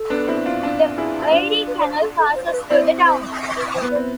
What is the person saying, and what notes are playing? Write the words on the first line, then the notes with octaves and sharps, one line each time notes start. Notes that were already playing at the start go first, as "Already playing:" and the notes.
The Erie Canal passes through the town.
Already playing: A4
B3 D4
C4 E4
D4 F4
D4 F4
E4 G#4
E4
D4 F4 C5
A4
B4
D5
C5
A4
A4
C5
C5
B4
C4 E4 D5
C5
B4
C5
B3
D5
C4